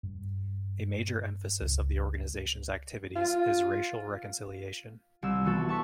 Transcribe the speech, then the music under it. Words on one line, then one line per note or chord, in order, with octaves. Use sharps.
A major emphasis of the organization's activities is racial reconciliation.
G2
C#2
F4
C2 E6
E3 B3 F#4 A4
A5 C#6 B6